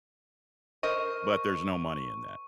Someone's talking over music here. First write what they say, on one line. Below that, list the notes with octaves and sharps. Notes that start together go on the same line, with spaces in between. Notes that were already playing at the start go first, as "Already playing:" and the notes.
but there's no money in that."
A#4 C5 D#5 C#6